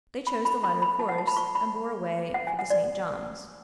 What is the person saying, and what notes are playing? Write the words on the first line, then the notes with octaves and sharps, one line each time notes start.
They chose the latter course, and bore away for the St. John's.
B5
B5
B5
B5
A5
F#5
A5
B5
C#6
B5
F#5
G#5
F#5
D5